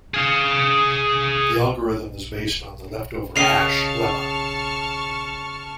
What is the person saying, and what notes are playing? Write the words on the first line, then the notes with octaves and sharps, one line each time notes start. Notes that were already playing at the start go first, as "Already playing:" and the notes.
The algorithm is based on the leftover hash lemma.
G#4 F5
C#3 D#5 F5 A5 C#6 F6 C7 F7